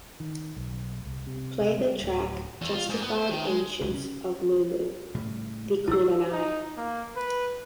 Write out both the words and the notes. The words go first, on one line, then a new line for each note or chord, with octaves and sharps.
Play the track "Justified Ancients of Mu Mu - The Queen and I".
D#3
B1
C2
C3
C3
G3
D1
E2
F4
G#2
B3
C5
D#3
G#3
F1 C#2 G2
C#4
A2 C#3 G3
A#1 D#3 E4 E6
D#4
A#3
B4